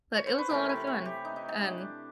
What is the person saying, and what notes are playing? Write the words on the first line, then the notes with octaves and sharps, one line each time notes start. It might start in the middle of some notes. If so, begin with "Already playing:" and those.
But it was a lot of fun. And
C#5
C5
B4
C3 E3 A3 A#4
B4
C#5
G4
D#4
D#4
D#4
D4